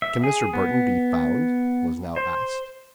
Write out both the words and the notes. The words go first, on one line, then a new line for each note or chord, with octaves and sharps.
"Can Mr. Burton be found?" was now asked.
E5
G#4
B3
C5